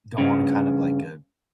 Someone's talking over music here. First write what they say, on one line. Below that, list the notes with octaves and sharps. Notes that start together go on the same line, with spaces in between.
go on kind of like a
G2 C#3